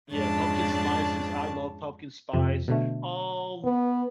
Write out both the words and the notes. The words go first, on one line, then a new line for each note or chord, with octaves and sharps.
yeah, pumpkin spices I love pumpkin spice. Um,
F2 G#2 C#3 D4 A5
F2 C3
B2 D3 A3
B3